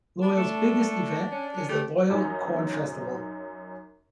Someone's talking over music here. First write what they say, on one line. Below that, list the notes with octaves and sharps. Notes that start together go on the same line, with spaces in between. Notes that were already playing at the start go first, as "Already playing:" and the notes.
Loyal's biggest event is the Loyal Corn Festival.
D4
A3
C#4
C#4
A3 G4
F#2 C#4 D#4